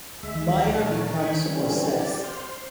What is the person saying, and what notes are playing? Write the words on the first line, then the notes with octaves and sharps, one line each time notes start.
Maya becomes possessed.
D2 G#3 E5
A#2 D4 A#4 C#5 A6
G5 G#5 B5 C#6
D3 E3 G3 C4 C#4
G4 D5
C5 C6 F6